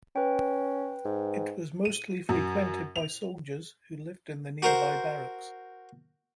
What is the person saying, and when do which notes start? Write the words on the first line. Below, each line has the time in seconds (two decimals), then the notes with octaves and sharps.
It was mostly frequented by soldiers who lived in the nearby barracks.
0.16 C#4 B4 G5
1.05 G#2
1.85 D#7
2.29 F#2
2.96 F7
4.62 F#4 A#4 C5